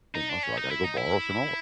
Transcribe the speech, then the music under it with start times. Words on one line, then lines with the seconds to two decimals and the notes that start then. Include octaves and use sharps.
you know? So, I got to go borrow some more
0.15 D#4
0.29 D4
0.43 C#4
0.57 D#4
0.70 E4
0.84 D#4
0.97 E4